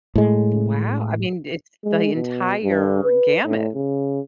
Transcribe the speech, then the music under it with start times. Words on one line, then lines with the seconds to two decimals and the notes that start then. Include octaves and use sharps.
Wow. I mean, it's the entire gamut.
0.16 A2 G#3
1.84 G#3
2.14 B2
2.63 G2
3.03 B4
3.45 A2
3.75 C#3